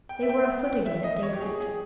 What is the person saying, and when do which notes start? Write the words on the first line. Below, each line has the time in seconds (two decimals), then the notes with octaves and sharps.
They were afoot again, at daylight.
0.09 G5
0.22 E5
0.29 G5
0.86 E5
1.04 D#5
1.23 C#5
1.33 G4
1.41 G#4
1.60 G#4